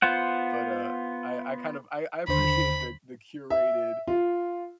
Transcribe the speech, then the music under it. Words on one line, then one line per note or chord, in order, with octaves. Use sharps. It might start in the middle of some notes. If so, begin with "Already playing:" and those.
but, uh, I I kind of I I appreciate the the curated
B3 F4 C5 F#5
D#2 D3 C5 B5
E5
F4